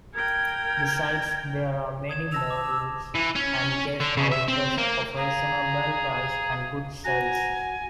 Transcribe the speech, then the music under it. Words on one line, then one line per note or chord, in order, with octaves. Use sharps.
Besides, there are many motels and guest-houses of reasonable price and good service.
A#4 G5 G#6
D#6 G#6 E7
A5 E6 A#6 F7
D6
E3
C#4
D3
C#3
E5
C4
A#3
G#4 F5 A#5
F#4 F#5 G#5 A#5